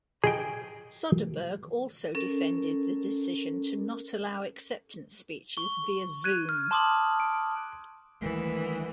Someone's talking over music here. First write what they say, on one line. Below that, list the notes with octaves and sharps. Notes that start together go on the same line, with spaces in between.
Soderbergh also defended the decision to not allow acceptance speeches via Zoom.
G#4 D#5 G5
C#4 A4 A#4
C#6 G7
F#6 G#6 D#7
F6
A5 C6 D6 D#6 F#7
D7
D2 D#3 E3 G3 G#3 A#4